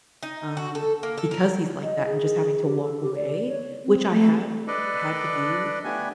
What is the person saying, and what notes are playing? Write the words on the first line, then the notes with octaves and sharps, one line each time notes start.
um, because he's like that and just having to walk away. Which I have had to do,
D#4
F#4
A4
A#3
A4
A#4
D#5
G#4
G4
A4
G4
D5
C#5
C4
A3
D4 A4 B4 D5 D#5
A3 B3 D4 G4 G#5